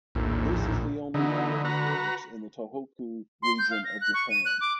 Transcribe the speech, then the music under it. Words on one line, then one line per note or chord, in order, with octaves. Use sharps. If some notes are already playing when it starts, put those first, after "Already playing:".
This is the only one of his works in the Tohoku region of Japan.
A#1 D#2 A2
D3 E3 D#4
F#4 B4 A#5
C6
G6
F5
A#6
F#6
C#6
D#7
F#6
D6